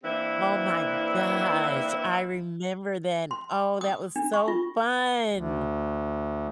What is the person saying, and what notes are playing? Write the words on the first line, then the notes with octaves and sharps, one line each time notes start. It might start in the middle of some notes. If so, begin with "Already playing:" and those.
Oh my gosh! I remember then. Oh, that was so fun!
E3 A#3 C4 D4 E4
C6
D#6
D4
C#6
F4
D2